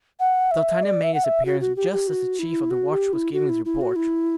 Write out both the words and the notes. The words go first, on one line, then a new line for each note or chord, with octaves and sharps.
D'Artagnan made his appearance just as the chief of the watch was giving his report.
F#5
E5
D5
E5
F#5
E5
F#4
F#4
G4
G4
F#4
E4
F#4
G4
E4
F#4
E4
E4
F#4
E4